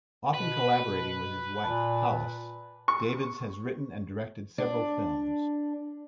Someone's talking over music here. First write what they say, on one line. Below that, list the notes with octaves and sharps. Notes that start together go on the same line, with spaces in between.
Often collaborating with his wife, Hollace, Davids has written and directed several films.
B2 B4
A#2 A5 B5
C#6
D4